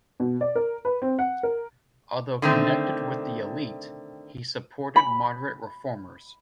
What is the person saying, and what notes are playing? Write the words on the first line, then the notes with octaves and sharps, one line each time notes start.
Although connected with the elite, he supported moderate reformers.
B2
D5
A#4
B4
C4
F#5
A#4
D3 D#3 A3 C4
B5